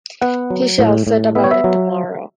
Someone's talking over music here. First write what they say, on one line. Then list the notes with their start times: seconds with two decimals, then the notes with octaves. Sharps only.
He shall set about it tomorrow.
0.21 B3 F#5
0.50 F#3
0.79 A2
1.07 A2
1.35 B3 E5
1.44 C#5
1.51 E5
1.64 F#3